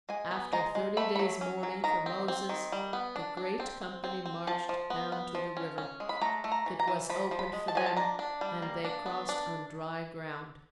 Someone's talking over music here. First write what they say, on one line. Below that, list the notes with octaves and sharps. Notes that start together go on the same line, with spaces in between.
After thirty days mourning for Moses, the great company marched down to the river; it was opened for them and they crossed on dry ground.
G#3 G#5
B3
G#3 A#5
G#3
A3 B5
F#3 B5
C#4
F#3
D#3 A#5
C4
C4
D#3
G3
B3
D4
D4
C4
C4
C4
C4
F3 A5
F3
B3
B3
F3
C#4
C#4
G#3
B5
A3 A#5
A3
A#5
E3
A#5
E3
F3 B5
F3
B5
G#3
A5
F3 G#5
A5
D4 A#5
D4
G3
A#3
D4
B3
D4